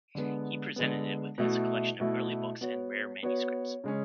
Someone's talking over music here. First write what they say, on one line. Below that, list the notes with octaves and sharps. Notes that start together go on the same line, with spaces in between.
He presented it with his collection of early books and rare manuscripts.
D3 G#3 B3
D3 G#3 B3
B2 A3 E4
B2 A3 E4
B3 F#4 C#5
B3 F#4 C#5
C#3 G#3 C#4